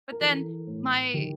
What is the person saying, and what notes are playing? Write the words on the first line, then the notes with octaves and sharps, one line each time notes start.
but then my
A#4
E3 A4
A2
D#3 G4